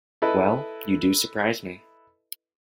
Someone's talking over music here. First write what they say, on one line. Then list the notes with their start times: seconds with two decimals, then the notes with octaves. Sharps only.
Well, you do surprise me!
0.22 E4 A4 B4 D#5